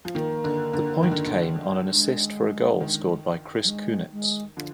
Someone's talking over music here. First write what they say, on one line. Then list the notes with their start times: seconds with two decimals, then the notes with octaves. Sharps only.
The point came on an assist for a goal scored by Chris Kunitz.
0.05 F3
0.14 D#3 A#3
0.44 D3
0.73 D3
1.03 D#3
1.11 D3
1.26 D3
1.92 G#3
2.80 D#3
3.64 F#3
3.68 G#3
4.12 G#3
4.57 D3 F3